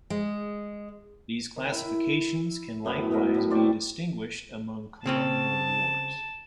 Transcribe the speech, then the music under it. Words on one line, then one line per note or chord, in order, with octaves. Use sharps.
These classifications can likewise be distinguished among colonial wars.
G#3
D#3
E4
F#2 A2 B3 B5
B3 F#4 A#4 E5
A2 E4
C4 D5 G5 C#6
C#3 C4 C#4 A5